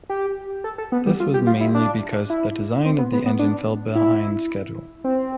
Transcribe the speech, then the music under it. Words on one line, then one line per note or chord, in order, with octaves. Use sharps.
This was mainly because the design of the engine fell behind schedule.
G4
A4
A4
B3
G3
F4
G4
F4
E4
D4
E4
C4
B3
B3
B3
D4
E4
C4